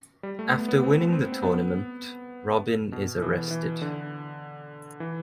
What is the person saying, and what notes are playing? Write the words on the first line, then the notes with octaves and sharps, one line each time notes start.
After winning the tournament, Robin is arrested.
G3
A3
B3
B3
C4
C4
C4
B3
B2
E3
E3
D3
E3